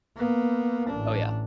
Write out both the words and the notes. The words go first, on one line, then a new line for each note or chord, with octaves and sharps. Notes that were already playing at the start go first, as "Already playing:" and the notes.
Oh, yeah.
A#3 B3
A1 D4